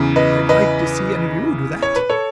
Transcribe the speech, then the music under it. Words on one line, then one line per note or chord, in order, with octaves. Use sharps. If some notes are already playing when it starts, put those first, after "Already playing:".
I'd like to see any of you do that!
Already playing: E2 C#3 E3
B4 D#5
B4 D#5
C#5
B4
A4 C#5